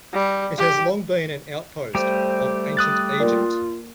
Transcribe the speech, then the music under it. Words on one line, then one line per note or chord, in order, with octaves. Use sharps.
It has long been an outpost of ancient Egypt.
G3
G4
G3 A3 G4 C5
D#6 F#6 A6
A#3 F4 A#4 D5